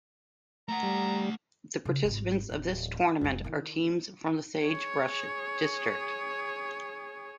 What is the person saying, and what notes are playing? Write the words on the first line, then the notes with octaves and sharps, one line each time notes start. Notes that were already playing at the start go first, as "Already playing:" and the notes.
The participants of this tournament are teams from the Sagebrush District.
A3 F#5 A#5
G3
C#3
G#1 F4
D1 A1
F1 G#3
D#3 E4
G#4 C#5